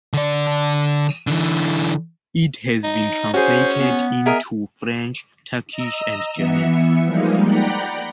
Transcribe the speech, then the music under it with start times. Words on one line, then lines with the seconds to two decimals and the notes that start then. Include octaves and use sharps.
It has been translated into French, Turkish, and German.
0.13 D3 D5
1.27 D3 E3
2.84 D#4
3.34 C#4 F#4 G#4 C5
3.78 B3
4.26 G#4 A#4 D#5 E5
5.71 D#5 A#5 E6
6.35 E3 B3 E5 C#7
7.04 F3 G3 G#3 A#3 D#4
7.44 D5 F#5 G5 A#5 B5